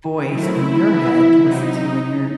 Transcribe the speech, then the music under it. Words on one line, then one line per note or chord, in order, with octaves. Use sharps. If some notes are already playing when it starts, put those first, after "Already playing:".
voice in your head to listen to when you're
D#3 F#3 A3 C4 E4
E4
E3 B3
C3 F#3 C4 D#4